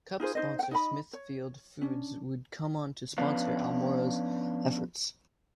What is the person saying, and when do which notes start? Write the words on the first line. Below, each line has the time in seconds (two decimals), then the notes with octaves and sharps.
Cup sponsor Smithfield Foods would come on to sponsor Almirola's efforts.
0.20 D#4 F4 G#4 C5
0.35 D#4 C5 D#5
0.59 F#5 G5
0.71 D#4 D#5 B5
1.13 C#5
1.81 C#4 D4
3.18 F3 B3 C#4 D4 B4 F5